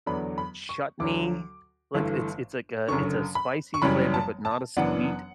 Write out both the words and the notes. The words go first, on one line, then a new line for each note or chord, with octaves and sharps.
chutney, like, it’s it’s like a it’s a spicy flavor, but not a sweet
E2 D3 F#3 B3 D4 B5
B5
C#6
D2 D3 F#3 D6
G1 G2 E3 A3
F#1 F#2 D3 C#6
B5
C#6
F#1 F#2 E3 G3 C#4 B5
A5
A5
F#1 F#2 E3 B3 D4 F#5